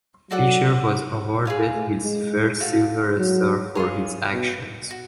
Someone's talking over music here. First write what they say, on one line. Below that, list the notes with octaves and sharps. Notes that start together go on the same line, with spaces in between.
Fisher was awarded his first Silver Star for his actions.
F#3 F#4 A4 D5 F#5
G#4 B4 F5 G#5
A3
G#3
F#4 A4 F5
F#3
F4 G#4 C#5
B2
F#4